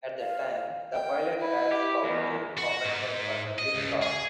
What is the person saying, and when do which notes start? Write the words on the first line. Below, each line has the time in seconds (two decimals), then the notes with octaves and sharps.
At that time the pilot adds power to compensate for the lift loss.
0.20 F5
0.93 G5
1.39 E4 B4
1.71 G4
2.04 E2
2.57 F#4
2.85 G#2
3.59 D#5
3.75 C#2
4.02 G#4